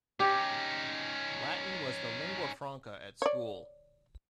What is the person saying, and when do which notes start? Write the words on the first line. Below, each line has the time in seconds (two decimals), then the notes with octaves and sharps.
Latin was the lingua franca at school.
0.20 C#4 D#4 G4
3.22 C#5 D5